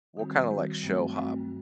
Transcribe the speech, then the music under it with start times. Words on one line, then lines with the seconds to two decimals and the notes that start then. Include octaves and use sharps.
we'll kinda like show hop.
0.17 D#3 G3 C4 F#4
0.50 D#3 G3 C4 F#4
0.83 G2 F#3 A3 C4 F#4
1.16 G2 F#3 A3 C4 F#4